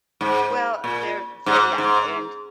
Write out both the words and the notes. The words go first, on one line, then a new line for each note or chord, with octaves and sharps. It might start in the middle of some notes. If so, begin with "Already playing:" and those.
Well, they're they yeah, and,
G#2
A#2
G#2
G#2